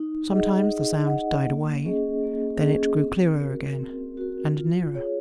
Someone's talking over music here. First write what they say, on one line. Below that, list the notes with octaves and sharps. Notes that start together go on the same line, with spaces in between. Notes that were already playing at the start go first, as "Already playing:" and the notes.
Sometimes the sound died away, then it grew clearer again and nearer.
Already playing: D#4
G#4 D#5 F#5
D#4
G#4 D#5 F#5
A#3
C#4 G#4 D#5
A#3
C#4 G#4 D#5
C4
F#4 A#4
C4
F#4 A#4
F4
G#4 C#5